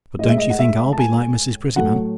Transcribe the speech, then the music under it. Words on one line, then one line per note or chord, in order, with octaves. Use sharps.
But don't you think I'll be like Mrs. Prettyman.
A2 G#3 D#5
E5
D#5
F#5
E5
A5
G#5
A2 F#3 A3 F#5